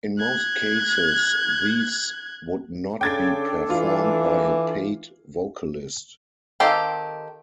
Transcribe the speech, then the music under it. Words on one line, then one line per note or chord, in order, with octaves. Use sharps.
In most cases these would not be performed by a paid vocalist.
F#6 G#6
C#3 D4 A4 G5 D6 G#6 A6
E3 F4
D#3 C4 G4 A4 F5